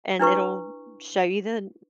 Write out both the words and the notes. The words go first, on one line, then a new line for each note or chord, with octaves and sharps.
and it'll show you the
D4 E4 B4 C#6